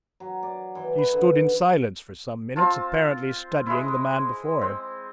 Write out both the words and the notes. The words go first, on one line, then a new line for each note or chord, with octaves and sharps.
He stood in silence for some minutes, apparently studying the man before him.
F#3
D5
E3
B4
D3
C4 F4 A5
G#3 E4
C4